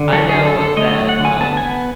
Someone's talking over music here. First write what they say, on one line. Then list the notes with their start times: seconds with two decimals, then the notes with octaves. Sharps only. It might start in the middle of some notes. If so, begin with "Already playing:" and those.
I know that, um
Already playing: D3
0.13 F#3 A4
0.29 G#4
0.34 D3
0.45 A4
0.56 D3 A4
0.77 A3 D#5
0.98 F#3
1.09 F#5
1.20 D3 G#5
1.41 B3 A5
1.57 B3 G#5